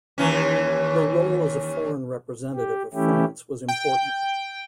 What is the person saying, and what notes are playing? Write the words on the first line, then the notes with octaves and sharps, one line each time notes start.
Her role as a foreign representative of France was important.
D#2 E3 C#4
G4
E3 A3 C#4 E4 G4
G5